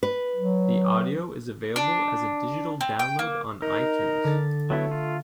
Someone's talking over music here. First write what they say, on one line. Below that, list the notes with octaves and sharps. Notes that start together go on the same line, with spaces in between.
The audio is available as a digital download on iTunes.
B4
F#3
D4
C4
G5
A#3
D#4 A#4
D3 A6
F#3 A3 B3 E4
F4